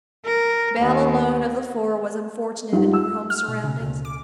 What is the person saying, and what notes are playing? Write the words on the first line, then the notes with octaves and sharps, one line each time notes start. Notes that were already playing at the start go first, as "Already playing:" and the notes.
Belle alone, of the Four, was unfortunate in her home surroundings.
A#4
D#2
G2 D#4 F4 F#5
E6
F6
B2
C#3
D2
D6